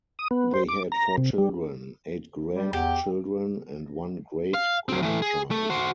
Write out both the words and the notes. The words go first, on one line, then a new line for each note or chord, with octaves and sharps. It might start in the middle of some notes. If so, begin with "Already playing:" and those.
They had four children, eight grandchildren, and one great grandchild.
D#6
B3
C5
D6
A#5
C3
G3
G3
E2 G4
F5
F#3 C4
E3 A3
G#4
A3
F#4 C5